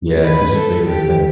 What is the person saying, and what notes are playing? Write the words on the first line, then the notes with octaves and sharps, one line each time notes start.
Yeah, it's his favorite thing.
B4
A4
G4